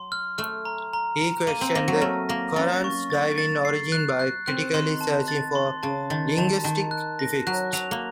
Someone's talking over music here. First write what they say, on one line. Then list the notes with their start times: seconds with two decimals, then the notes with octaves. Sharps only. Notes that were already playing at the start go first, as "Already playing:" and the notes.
He questioned the Qur'an's divine origin by critically searching for linguistic defects.
Already playing: F#3 C6
0.12 F6
0.38 A3 F6
0.65 A#5
0.93 A#5
1.21 A#5
1.47 A#3 D#7
1.61 C4
1.74 A#3 A#6
1.88 F#3
2.01 A3 F6
2.29 A#3 A#6
2.56 C#4 A6
2.84 C#6
3.10 A6
3.38 A6
3.65 C7
3.92 F#6
4.19 F#6
4.46 C4 F#6
4.74 D#3 C6
5.01 A5
5.28 A6
5.55 C6
5.83 C#3 A5
6.10 D#3 A6
6.37 D#3 A5
6.64 D#3 A5
6.91 F#6
7.19 A#6
7.47 F#3 F#6
7.73 F#3 F7
7.91 A#3